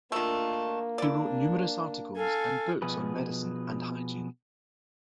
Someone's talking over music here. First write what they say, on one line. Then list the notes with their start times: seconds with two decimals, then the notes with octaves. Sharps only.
He wrote numerous articles and books on medicine and hygiene.
0.12 D#3 A3 A#3 D4 F4
0.98 D4 E4 D5
2.16 A4 F5 G#5
2.82 B2 F3 G#4 B4